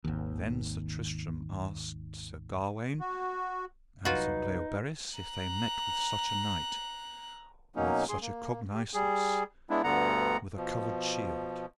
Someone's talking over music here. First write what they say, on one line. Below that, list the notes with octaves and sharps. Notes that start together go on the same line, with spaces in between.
Then Sir Tristram asked Sir Gawaine and Sir Bleoberis if they met with such a knight, with such a cognisance, with a covered shield.
G#1 D#2
F#4
C2 F#3 D#4 F4 F#4 B4
A#5 F#6
B2 F#3 A#3 C#4 D#4
F#2 G#4 C6
A#3
G4
G3 G#4
G#3 B3 D4 E4
D2 G2 D3 B3 F#5 A#5
B2 F3